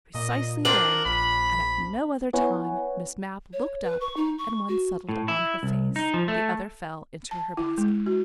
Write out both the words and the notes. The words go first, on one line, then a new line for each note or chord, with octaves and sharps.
Precisely then, and at no other time, Miss Mapp looked up, and one settled on her face, the other fell into her basket.
A#2 D#5
C4 D4 F4 A#4 F#7
A#1 B5
B3 E4 B4 C#5 F#5 G#5
C#5
B4
C#6
D#4
C#6
F#4
A2
E4
C2
D#4
F3
A3
A5
E4
G#3
F#4